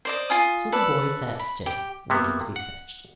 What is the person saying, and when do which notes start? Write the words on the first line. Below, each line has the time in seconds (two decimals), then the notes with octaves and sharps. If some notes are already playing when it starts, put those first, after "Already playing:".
So the boy sat still, waiting to be fetched.
0.05 C5 D5 D#5
0.30 F4 G#5 D#6
0.72 A4 B4 D5
1.39 B5
1.66 G4
2.10 C3 A#3 B3
2.56 F#5